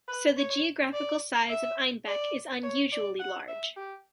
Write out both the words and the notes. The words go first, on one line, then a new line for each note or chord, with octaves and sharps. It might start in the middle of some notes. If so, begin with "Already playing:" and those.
So the geographical size of Einbeck is unusually large.
B4
C#5
D5
E5
D5
C#5
D5
F#5
E5
G4